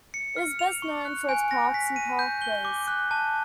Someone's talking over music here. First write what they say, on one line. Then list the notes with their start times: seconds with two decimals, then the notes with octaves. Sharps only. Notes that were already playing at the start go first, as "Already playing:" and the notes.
It is best known for its parks and parkways.
0.14 C#7
0.36 F6
0.59 F7
0.82 C#6
1.05 F#6
1.29 G#5
1.51 A#6
1.74 B6
1.96 D#7
2.19 G6
2.42 G7
2.65 D6
2.88 F#6
3.11 A5